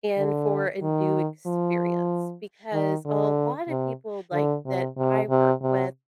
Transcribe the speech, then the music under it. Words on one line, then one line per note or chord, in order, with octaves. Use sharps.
and for a new experience, because a lot of people, like, that I work with,
D3
D#3
F3
D#3
D3
C3
D3
C3
C3
C3
C3